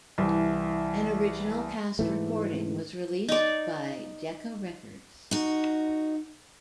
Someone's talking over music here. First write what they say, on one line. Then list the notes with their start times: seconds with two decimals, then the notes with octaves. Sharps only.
An original cast recording was released by Decca Records.
0.18 C2 E3
1.99 G#2 E3 A3
3.28 D#4 D5
5.31 D#4 F#4